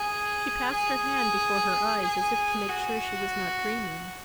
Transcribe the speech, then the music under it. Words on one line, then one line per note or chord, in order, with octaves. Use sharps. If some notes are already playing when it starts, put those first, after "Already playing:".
She passed her hand before her eyes, as if to make sure she was not dreaming.
Already playing: G#4
G#4
G#4
F#4